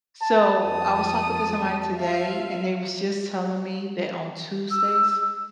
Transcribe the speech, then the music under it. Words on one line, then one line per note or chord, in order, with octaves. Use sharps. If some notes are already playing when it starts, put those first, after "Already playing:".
So, I was talking to somebody today and they was just telling me that on Tuesdays
A5
F2 A5 D#6
F4 E5 F5
E6